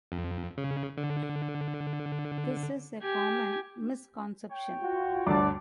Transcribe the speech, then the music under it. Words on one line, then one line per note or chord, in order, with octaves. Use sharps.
This is a common misconception.
F2
C#3
D3
G4 G#5
C#5 G5
F4 F#4
G1 D2 G2 D5 A5 D6